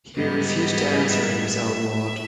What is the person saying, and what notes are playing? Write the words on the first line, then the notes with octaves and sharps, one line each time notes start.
He refused to answer and was outlawed.
G#2 E3 G3 B3 D#5
D#5
E5